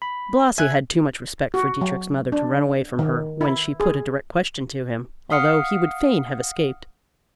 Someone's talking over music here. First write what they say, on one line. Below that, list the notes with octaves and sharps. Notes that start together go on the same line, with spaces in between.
Blasi had too much respect for Dietrich's mother to run away from her when she put a direct question to him, although he would fain have escaped.
B5
E5 G#5 F#6 G#6
F#4
F#3
D4
D#3
E4
G#4
F5 F#5 D#6 F6 C7 C#7